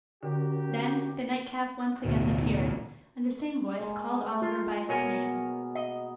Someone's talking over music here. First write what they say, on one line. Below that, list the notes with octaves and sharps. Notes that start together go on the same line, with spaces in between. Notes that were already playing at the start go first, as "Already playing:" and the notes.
Then, the nightcap once again appeared: and the same voice called Oliver by his name.
D3 C#4 F#4 G4 A#4
A1 D2 B2
G#3 A#3
F4
B2 A#3 B3 A#4 C#5 G#5
D#5